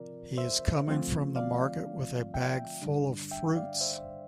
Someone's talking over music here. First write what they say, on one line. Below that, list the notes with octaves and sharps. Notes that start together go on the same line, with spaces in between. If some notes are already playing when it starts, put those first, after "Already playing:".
He is coming from the market with a bag full of fruits.
Already playing: C3 F3 C4 F4 A#4 D5
C5 E5
D3 F3 A3 C4 F4
D5 F5
E5 G5
G2 D3 G3 D4
E5 G5
D5 F5
C5 E5